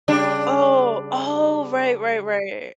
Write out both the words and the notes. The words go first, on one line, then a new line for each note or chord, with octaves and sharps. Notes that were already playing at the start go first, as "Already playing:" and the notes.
Oh. Oh, right, right, right.
C#3 G3 D4